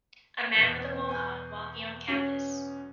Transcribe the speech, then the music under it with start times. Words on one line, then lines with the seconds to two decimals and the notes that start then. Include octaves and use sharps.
A man with a Mohawk walking on campus.
0.55 E2 B2 G6
1.09 G#5 G6
2.08 F#3 C#4